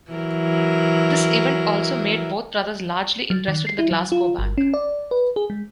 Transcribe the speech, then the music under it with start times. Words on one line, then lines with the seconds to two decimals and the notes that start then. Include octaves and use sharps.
This event also made both brothers largely interested in the Glasgow Bank.
0.11 E3 F#3 A#4
3.30 F#3
3.48 D#3
3.67 C7
3.79 E4
3.91 F#3
4.12 F4
4.39 G1
4.58 C#4
4.74 D5
5.11 B4
5.36 G#4
5.50 G#3